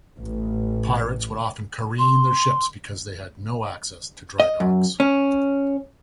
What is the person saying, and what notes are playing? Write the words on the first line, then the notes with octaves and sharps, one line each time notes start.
Pirates would often careen their ships because they had no access to drydocks.
A1
C6
D#5
F#2
C#4